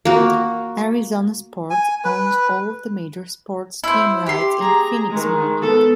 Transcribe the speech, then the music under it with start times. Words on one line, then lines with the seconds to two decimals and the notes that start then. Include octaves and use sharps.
Arizona Sports owns all of the major sports team rights in the Phoenix market.
0.05 A#3 F#4
1.70 G#5
2.04 B4
3.84 E4 C5
4.26 G4 C6
4.57 G#4 A#5
5.09 D#3 G#3
5.62 B3 A4